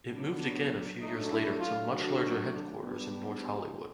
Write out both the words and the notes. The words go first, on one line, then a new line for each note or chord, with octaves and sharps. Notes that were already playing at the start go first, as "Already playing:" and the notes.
It moved again a few years later to much larger headquarters in North Hollywood.
F#3 B3 D4
F#3 A3 D4 D#4
E4
F4
D#3 F#3 A3 D4 F#4
G3 B3 D4